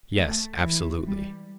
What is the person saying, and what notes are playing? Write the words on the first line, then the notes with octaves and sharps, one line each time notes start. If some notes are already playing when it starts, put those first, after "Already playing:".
"Yes; absolutely."
A3
E3
G3